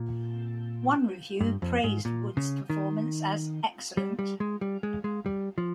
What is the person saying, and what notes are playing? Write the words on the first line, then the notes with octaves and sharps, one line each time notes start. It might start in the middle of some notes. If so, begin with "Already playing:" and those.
One review praised Wood's performance as "excellent".
Already playing: A#2
G2
F2
G#2
A#2
C#3
D#3
G3
G3
G#3
G3
G#3
G#3
G3
F3